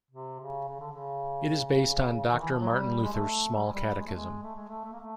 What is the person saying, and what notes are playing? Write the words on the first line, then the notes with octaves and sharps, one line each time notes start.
It is based on Doctor Martin Luther's Small Catechism.
C3
C#3
C#3
D3
C#3
D#3
E3
F3
F#3
G3
G#3
A3
G3
G#3
G3
G#3
A3
G#3
A3
G#3
A3
A3
A#3
A3